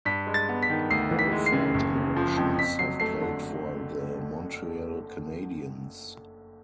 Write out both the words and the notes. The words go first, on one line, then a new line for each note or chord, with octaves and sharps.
All four generations have played for the Montreal Canadiens.
G2 B6
G#3
A6
B3
B6
D#3
D2 C7
E3
B6
G#3
C7
C#3
F#1
C#3
F3
F2
F2 B6
F#3 C7
A3 C7
D3